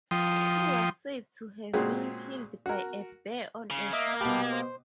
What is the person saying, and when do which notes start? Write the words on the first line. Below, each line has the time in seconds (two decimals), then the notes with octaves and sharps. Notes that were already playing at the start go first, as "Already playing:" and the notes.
He was said to have been killed by a bear on a hunt.
0.11 F3 G5 C6 D#6
1.73 A#2 C#3 G#3 C4 F#4
2.66 F#4 A#4
3.70 C#3
3.93 A#3 D#5 E5
4.21 B2 G4 G5 A5 B5
4.51 C5